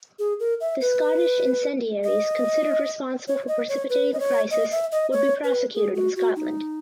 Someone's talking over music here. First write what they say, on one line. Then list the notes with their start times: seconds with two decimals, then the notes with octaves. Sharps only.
The Scottish "incendiaries" considered responsible for precipitating the crisis would be prosecuted in Scotland.
0.19 G#4
0.40 A#4
0.60 E5
0.81 B4
2.04 D#5
3.28 C#5
3.48 D#5
3.69 C#5
3.90 B4
4.13 D#5
4.20 C#5
4.51 D#5
4.71 E5
4.92 D#5
5.12 C#5
5.44 B4
5.74 G#4
5.95 F#4
6.16 F#4
6.36 D#4